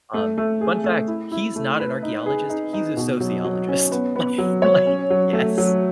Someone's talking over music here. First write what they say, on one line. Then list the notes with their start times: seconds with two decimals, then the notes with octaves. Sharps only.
Um, fun fact, he's not an archaeologist, he's a sociologist, like like yes.
0.14 A3
0.38 A3
0.61 G#4
0.84 A3
1.08 E4
1.32 E4
1.56 A3
1.80 B4
2.02 D#4
2.26 G#4
2.49 D#4
2.73 D#4
2.97 B2
3.20 F#3
3.45 F#3
3.69 C#4
3.92 B3
4.16 B3
4.38 F#3
4.62 C#5
4.86 C#4
5.10 F#3
5.33 A3
5.58 F#3